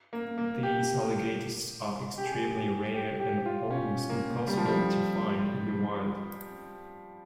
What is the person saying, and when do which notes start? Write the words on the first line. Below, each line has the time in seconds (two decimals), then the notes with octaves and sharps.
These alligators are extremely rare and almost impossible to find in the wild.
0.13 A#3
0.38 A#3
0.63 G4
2.18 G4
2.24 G#4
2.32 G4
2.56 G#4
2.94 G4
3.20 G4
3.46 F4
3.70 C#4
4.10 A#3
4.48 G3
4.57 F3
4.66 G3